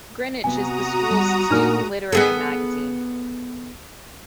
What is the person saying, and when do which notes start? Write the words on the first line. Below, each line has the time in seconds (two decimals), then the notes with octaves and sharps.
"Greenwitch" is the school's student literary magazine.
0.44 C3 B3 F#4 G#5 A#5 D#6
1.10 G3
1.50 A#2 D4 D#4 A#4 F6
2.12 B3 G#4 A4